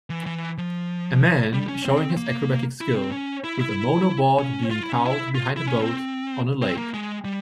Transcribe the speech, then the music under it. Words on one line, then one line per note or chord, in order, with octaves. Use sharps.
A man showing his acrobatic skill with a monoboard being towed behind a boat on a lake.
E3
E3
F3
G3
C#4
C4
A#3
E4
C4
C#4
E4
E4
C#4
F4
E4
C#4
E4
F4
E4
C#4
C4
C4
A#3
G#3
G3